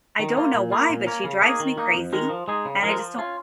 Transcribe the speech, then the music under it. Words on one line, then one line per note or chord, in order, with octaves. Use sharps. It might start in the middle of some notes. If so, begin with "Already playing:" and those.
I don't know why, but she drives me crazy, and I just don't
D#3
A#3 F4
A#2
A#3 F4
A#2
A#3 C#4 A#4
C#3
A#3 D#4 G#4
D#3
A#3 D#4
F2
D#3 G#3 D#4 A#4
F3
G#3 D#4 G#4
C#3
F3 G#3 F4 A#4
F3
C#4 F4